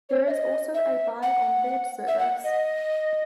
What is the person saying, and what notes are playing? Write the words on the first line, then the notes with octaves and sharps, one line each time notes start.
There is also a buy on board service.
C#5
E5
D#5
E5
F#5
E5
F#5
D#5